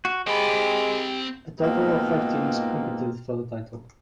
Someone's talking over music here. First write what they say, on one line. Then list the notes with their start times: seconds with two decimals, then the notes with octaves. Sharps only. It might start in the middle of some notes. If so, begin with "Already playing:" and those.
A total of five teams competed for the title.
0.05 F#4
0.27 G#3 C4 G4 B5
1.60 G#2 B2 A#3 C4 D#4 F4